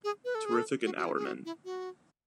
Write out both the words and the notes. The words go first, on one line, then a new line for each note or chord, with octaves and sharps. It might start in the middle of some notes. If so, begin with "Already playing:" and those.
Terrific and Hourman.
G#4
B4
A4
G#4
A4
F#4
F#4
E4
G#4
F#4
E4
F#4